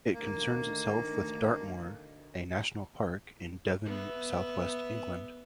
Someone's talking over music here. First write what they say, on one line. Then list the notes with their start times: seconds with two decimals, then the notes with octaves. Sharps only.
It concerns itself with Dartmoor, a National Park in Devon, south-west England.
0.14 D2 D#3 A#3
3.86 B3 E5